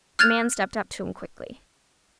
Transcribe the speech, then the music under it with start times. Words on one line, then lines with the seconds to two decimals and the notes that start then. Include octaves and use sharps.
A man stepped up to him quickly.
0.19 F6 F#6 G#6 A6 F7